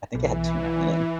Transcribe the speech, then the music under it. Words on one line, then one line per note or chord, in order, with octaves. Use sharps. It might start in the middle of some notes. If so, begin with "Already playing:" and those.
I think it had tuna in it.
B1 E3